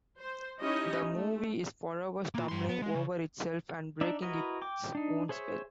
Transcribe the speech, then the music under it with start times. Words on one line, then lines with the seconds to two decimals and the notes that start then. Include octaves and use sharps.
The movie is forever stumbling over itself and breaking its own spell.
0.18 C5
0.60 C#4 D#4 E4 G4 C#5 D#5
1.13 A3
2.34 A#3 F4
2.49 G2 C6
2.69 B3
2.82 G#3
2.95 C#3
4.01 D4 D#4 D5 E5
4.22 E4 F#4 A#4 B4 D#5
4.62 G5 D6
4.95 D4 D#4
5.29 G#4 C5 C#5 E5